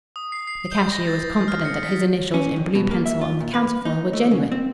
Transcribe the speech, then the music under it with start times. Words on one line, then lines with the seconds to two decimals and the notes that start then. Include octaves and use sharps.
The cashier was confident that his initials in blue pencil on the counterfoil were genuine.
0.16 D#6
0.32 C7
0.47 C7
0.72 G6
0.92 A#6
1.07 A6
1.22 G6
1.48 F6
1.65 C#7
1.83 B6
2.34 C#4
2.56 F2
2.75 B2
2.91 A#3
3.06 E5
3.21 F4
3.41 A#2
3.54 B4
3.85 D#4
4.13 A3
4.31 C#3
4.52 C4